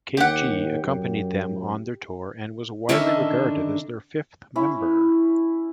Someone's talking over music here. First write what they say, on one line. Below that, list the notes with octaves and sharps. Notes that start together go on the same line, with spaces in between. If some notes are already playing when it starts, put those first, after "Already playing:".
K-Gee accompanied them on their tour and was widely regarded as their fifth member.
D#2 G4 F#5
F#2
D3 D#3 C#4 D4 D#5 E5
C#4 E4